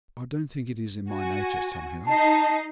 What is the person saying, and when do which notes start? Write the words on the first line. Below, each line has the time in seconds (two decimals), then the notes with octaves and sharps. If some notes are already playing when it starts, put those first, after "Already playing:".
I don't think it is in my nature somehow.'
1.11 F#4 G#5
2.07 D#4 A5 C7